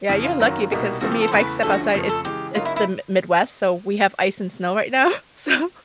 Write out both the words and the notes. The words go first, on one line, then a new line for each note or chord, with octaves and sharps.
Yeah, you're lucky because for me if I step outside, it's it's the Mi Midwest, so we have ice and snow right now. So
F2 C#3 E3
F4
F#2 D#3 F#3 A#3
C2 B2 G3 A#3 D#4
C#3 F3 A3 C4 E4 F#4
G4
A4
C5
E2 C#3 E3 A3 B4
D2 D3 F3 A3 C#4 A4
F#4
F2 C#3 F3 A3
A4
C#3 E3 G#3 G4
C#3 F#3 A#3 D#4 F4
E4
E4